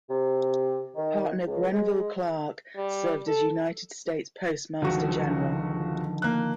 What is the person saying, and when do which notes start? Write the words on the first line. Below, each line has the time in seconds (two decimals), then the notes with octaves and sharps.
Partner Grenville Clark served as United States Postmaster General.
0.08 C3
0.95 D#3
1.46 C#2
1.73 G#3
2.77 G3
3.27 A4
4.82 C#2 D3 D#3 F3 F#4
6.22 A#3 F#6